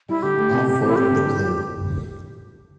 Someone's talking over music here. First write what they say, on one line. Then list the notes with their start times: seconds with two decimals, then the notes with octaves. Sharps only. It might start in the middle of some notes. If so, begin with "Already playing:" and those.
I’ve worn the blue.
0.09 G3 E4
0.22 D3 G4
0.38 A3
0.52 C3
0.67 C4
0.81 E3
0.87 E4
0.96 C4 G4
1.11 D3
1.25 G3